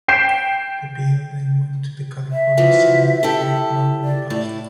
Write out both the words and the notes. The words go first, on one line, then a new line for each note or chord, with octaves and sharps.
The bill then went to the California Senate where it narrowly passed.
G5 G6 B6 C7 D7 E7
E5
E3 F3 F#4
E4 G4 A4
D5
A2 E4